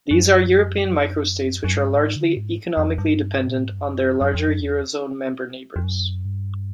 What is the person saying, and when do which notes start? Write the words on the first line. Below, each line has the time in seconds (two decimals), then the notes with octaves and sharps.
These are European microstates which are largely economically dependent on their larger Eurozone-member neighbours.
0.11 F#2
1.64 F#2
1.75 G2
1.95 G#2
2.16 D3
2.37 G#2
2.77 F2
2.98 G2
3.49 A#2
3.57 A2
3.64 G#2
3.72 G2
3.79 F#2
4.21 F#2
4.34 F2
4.48 F#2
4.61 E2
5.76 F2
5.84 F#2
6.25 G2